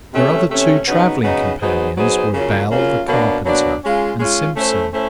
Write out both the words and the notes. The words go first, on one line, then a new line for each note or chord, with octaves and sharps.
Their other two travelling companions were Bell the carpenter and Simpson.
C3 E3 A3 C#4
C3 E3 A3 C#4
C#3 F#3 B3 D#4
C#3 F#3 B3 D#4
F#3 B3 D#4 G#4 C5
F#3 B3 D#4 G#4 C5
C#3 F#3 A#3 C#4 F4
C#3 F#3 A#3 C#4 F4
B2 F#3 A#3 D4
B2 F#3 A#3 D4
G#3 C#4 F4
G#3 C#4 F4
A3 C#4 E4 A4 C5
A3 C#4 E4 A4 C5